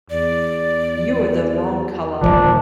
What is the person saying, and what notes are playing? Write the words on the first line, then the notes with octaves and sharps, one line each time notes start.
You're the wrong colour.
E2 D5
D#1 G#1 D3 F3 D4